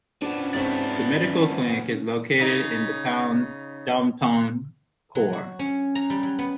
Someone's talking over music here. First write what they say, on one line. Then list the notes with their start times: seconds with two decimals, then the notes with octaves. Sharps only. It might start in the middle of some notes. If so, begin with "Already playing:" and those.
The medical clinic is located in the town's downtown core.
0.22 F3 B3 C#4 D4
0.54 G#2 C4 C#4 C#5 D5 E5 A5
2.38 C#3 C#4 D#4
5.15 F#3
5.33 F#4
5.59 C#4
5.95 A#5
6.10 G3
6.23 F#3
6.39 B3